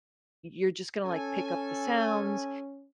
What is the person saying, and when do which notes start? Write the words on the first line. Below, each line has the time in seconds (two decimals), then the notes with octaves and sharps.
you're just gonna, like, pick up the sounds,
1.05 C#4 A4 G#5